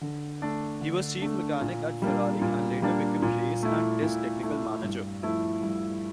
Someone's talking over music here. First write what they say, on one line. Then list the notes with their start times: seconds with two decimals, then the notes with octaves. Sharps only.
He was Chief Mechanic at Ferrari and later became Race and Test Technical Manager.
0.01 D3
0.42 A3 D4
0.81 D3
1.22 A3 D4
1.61 A#2
2.02 G3 A#3 D4
2.42 A#2
2.82 G3 A#3 D4
3.22 A#2
3.63 A3 E4
4.02 A#2
4.43 A3 E4
4.83 G2
5.22 F3 A3 E4 A4
5.63 G2